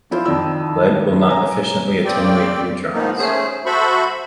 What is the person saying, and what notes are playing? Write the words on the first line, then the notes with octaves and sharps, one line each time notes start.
Lead will not efficiently attenuate neutrons.
F3 E4 F4 C5
F2 D#3 E4 D5 E6
C#5 G#5 A#5
C#3 C4 D5 G5
G#2 D#3 F3 A#3 B3 D#4
A3 C#4 G#4 C5
F#4 A4 C5 E5 B5 C#6